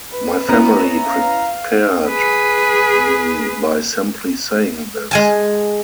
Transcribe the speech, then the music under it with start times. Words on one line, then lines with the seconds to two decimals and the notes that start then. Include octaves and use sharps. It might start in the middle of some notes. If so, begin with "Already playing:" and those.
My family prepared me by simply saying this.
0.12 B4
0.49 B3 C#4 E4 A#5
1.06 F5
2.09 G#4 B4
5.11 G#3 G#5 A5